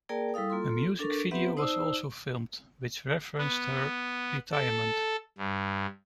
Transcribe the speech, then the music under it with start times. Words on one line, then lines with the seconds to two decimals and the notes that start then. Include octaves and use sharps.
A music video was also filmed which referenced her retirement.
0.09 A#3 G#4 A#4 D5 G5 A5
0.34 G3 E4 A4 F5 D#6
0.50 A#3 F4 A4 C6
0.99 D4 A4 A#4 C#6
1.31 B3 C4 G4 B4 E5 F#5
1.57 D#4 C5 D5 A5 E6
3.38 B3
4.52 A4
5.38 G2